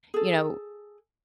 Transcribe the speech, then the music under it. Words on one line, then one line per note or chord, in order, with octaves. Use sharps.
you know,
G#4 A4